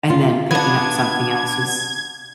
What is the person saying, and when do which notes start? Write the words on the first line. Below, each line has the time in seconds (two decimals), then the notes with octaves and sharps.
and then picking up something else, was,
0.10 F4
0.51 B3 D4 G#6